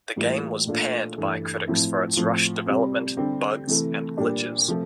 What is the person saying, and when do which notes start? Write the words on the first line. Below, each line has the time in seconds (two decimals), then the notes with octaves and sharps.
The game was panned by critics for its rushed development, bugs and glitches.
0.16 A2 E3 G3 A#3 F4
0.67 A#2 A3 D4 F4
1.17 G2 E3 A3
1.67 A2 F3 C4 E4
2.16 A2 F3 C4 F4
2.66 C3 G3 C4
3.17 D3 G3 C4 G4
3.67 C3 E3 A3
4.17 A#2 G3 D4 G4
4.68 C3 F3 A3